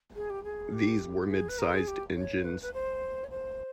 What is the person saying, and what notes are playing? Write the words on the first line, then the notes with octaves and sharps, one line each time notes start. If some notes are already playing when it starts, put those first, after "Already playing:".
These were mid-sized engines.
G#4
G4
G#4
G4
G#4
B4
A#4
G#4
G4
C#5
B4
B4
C5
C#5
C5